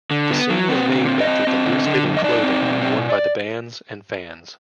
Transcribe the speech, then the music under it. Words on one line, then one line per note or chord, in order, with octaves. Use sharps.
The scene was named after the loose-fitting clothing worn by the bands and fans.
D3
B3
F#3
C4 B4
D3
C4
D#5
C4
C4
D3
D3
F#2
D#5
D#4 D5
C4
B2
C4